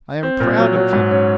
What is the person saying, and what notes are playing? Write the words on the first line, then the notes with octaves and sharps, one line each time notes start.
I am proud of him.
C4
A#2
F#3
F#3
G#2
C#4